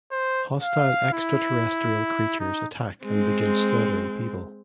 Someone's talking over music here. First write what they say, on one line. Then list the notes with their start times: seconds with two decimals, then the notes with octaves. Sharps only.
Hostile extraterrestrial creatures attack and begin slaughtering people.
0.12 C5
0.61 F5
1.13 E4
2.40 D#4
3.05 G#3 C4